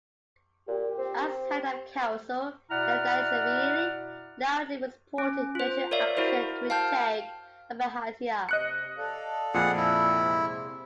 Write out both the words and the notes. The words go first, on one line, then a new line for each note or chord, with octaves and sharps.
As head of the Council, Nadareishvili loudly supported military action to retake Abkhazia.
A#2 G4
C4
B2 E4 D5 F#5 A#5 F6
C#4
F4 C5
A#4 C#5 D5 E5 F5
E4 F#4 A#4 C5
F5 G5 A5 F6 G6
C3 D#5 F#6 C#7
A4 D5 F5
F2 A#2 G#4 F#5
E4
C3 G#3